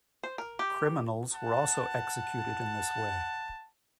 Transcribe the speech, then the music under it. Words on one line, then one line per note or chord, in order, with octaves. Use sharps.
Criminals were also executed in this way.
C5
A#4
G4
F#5 A5